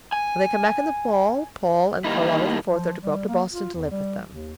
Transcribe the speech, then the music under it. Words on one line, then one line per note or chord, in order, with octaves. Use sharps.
When they come back in the fall Paul and Charlotta the Fourth are to go up to Boston to live with them.
G#5
D#3 G3 A#3 D#4 E4
F3
G3
A#3
F4
E2
G3
D#2